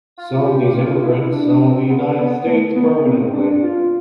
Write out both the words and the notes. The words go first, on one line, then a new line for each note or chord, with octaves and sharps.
Some of these immigrants settled in the United States permanently.
F4
G4
G4
F4
E4
D4
C4
B3
B3
A3
B3
C4
C4
D4
F4